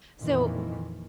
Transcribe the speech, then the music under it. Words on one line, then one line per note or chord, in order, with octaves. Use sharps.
So, w
F2 A#2 D#3 E3